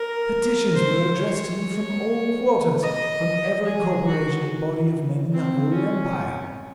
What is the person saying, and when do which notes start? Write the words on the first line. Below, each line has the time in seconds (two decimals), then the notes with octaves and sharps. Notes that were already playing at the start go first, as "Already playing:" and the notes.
Petitions were addressed to me from all quarters, from every corporation and body of men in the whole empire.
Already playing: A#4
0.74 C5
1.17 C#5
2.83 D#5
3.66 G#4
4.07 F#4
5.32 C4
5.73 C#4